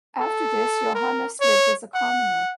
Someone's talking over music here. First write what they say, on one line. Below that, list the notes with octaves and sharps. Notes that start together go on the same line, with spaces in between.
After this, Yohannes lived as a commoner.
A4
A#4
C#5
F#5